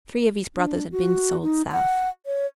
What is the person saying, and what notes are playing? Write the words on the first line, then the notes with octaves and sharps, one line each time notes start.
Three of his brothers had been sold South.
D4
F#4
D#4
F#5
C#5